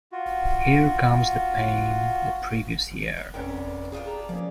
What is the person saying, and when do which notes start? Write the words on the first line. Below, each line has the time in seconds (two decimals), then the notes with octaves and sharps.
Here Comes the Pain the previous year.
0.12 F4 F#4
3.17 B3
3.34 F1 D3 B3 C#4 A#4 G5
3.92 D4 F4 G4 G#4
4.07 A#5
4.29 F3 A#3 C#4 G#4 D5